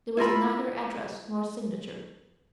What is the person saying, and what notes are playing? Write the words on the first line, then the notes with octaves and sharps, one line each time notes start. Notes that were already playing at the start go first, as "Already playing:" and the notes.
There was neither address nor signature.
E4 F4 A#4 B5